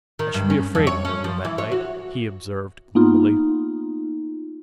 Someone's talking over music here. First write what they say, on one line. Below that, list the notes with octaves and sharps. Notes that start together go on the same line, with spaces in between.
"I should be afraid in your room at night," he observed gloomily.
D#3
G2
C#4
F2
C#5
C#4
F3
E3
C#5
F#4
A#3 B3 D#4 F4